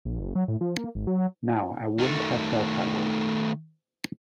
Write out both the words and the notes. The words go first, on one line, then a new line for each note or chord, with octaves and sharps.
Now, I wouldn’t have felt that way.
A#1
F#1
F#3
A2
F3
A#3
G#1
F#3
D#3 A3